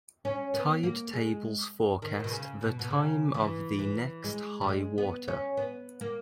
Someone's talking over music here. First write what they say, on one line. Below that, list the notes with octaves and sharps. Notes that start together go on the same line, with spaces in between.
Tide tables forecast the time of the next high water.
C#4
B3
A#3
G#3
D#3
B2
C#3
B2
B2
C#3
E3
E3
G#3
G3
G#3
B3
C#4
B3
A#3